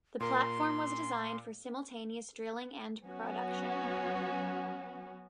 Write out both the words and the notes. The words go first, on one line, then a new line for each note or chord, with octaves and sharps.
The platform was designed for simultaneous drilling and production.
A#2 A#4 C6
F#3 B3 C#4 F#4